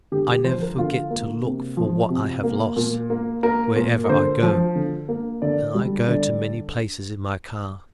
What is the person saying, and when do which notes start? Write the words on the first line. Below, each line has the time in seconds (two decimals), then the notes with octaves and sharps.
I never forget to look for what I have lost, wherever I go, and I go to many places in my car.
0.12 D3 G4
0.28 G4
0.44 F3 C5
0.62 A#4
0.78 D3 F4
1.11 A#3
1.45 C3
1.77 F3
2.10 C3
2.43 A#3
2.76 A#2
3.10 A#3
3.43 A#3 A#4
3.76 A#2
4.04 A#4
4.09 D3 C5
4.43 F3
4.75 D3
5.09 A#3
5.42 D3 D5
5.75 G3
6.09 D3 D5